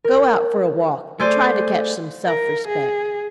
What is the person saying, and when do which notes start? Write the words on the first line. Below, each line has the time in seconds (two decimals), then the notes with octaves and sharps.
Go out for a walk and try to catch some self-respect.
0.04 A#4
1.20 A3 G#4 C5 D5
2.25 A#4
2.68 G#4